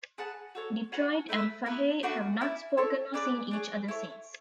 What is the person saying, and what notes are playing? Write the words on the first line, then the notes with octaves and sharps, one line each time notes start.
Detroit and Fahey have not spoken or seen each other since.
G#4 B4 F#5 A5
F#4 A4 C#5
C#4 F#4 B4 F#5
A3 E4 B4 E5
B3 E4 B4
A3 D4 F#4 B4
C#4 E4 A4 D5
E4 A4 C#5
D4 G#4 B4 D5
D4 G#4 C#5
E4 A4 C#5